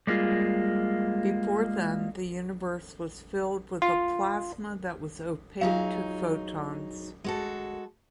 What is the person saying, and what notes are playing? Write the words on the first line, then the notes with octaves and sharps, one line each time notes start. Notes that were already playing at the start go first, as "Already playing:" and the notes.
Before then, the Universe was filled with a plasma that was opaque to photons.
G3 G#3 A#3 F4
F4
F#3 D#4 F4 G#4 F5
G#3 F#4 A4